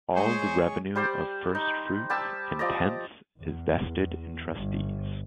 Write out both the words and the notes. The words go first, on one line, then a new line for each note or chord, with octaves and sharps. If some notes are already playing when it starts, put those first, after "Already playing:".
All the revenue of firstfruits and tenths is vested in trustees.
G#3 G#4 C5 C#5 G#5 C#6
G3 C5 D5 G5
D#4
G3 G4 A5 E6
F3 D5 D#5 A#5
E2
G1